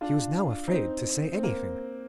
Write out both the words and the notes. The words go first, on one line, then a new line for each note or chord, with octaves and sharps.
He was now afraid to say anything.
D4 F4
C4 D#4
C4
A#3